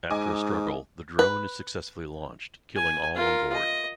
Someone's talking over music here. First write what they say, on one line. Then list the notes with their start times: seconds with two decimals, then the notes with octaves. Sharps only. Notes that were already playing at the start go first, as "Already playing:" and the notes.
After a struggle, the drone is successfully launched, killing all on board.
0.10 G#2 D#5 G#5 D6
1.19 B4
2.76 G#5
3.15 F4 A#4
3.53 D#5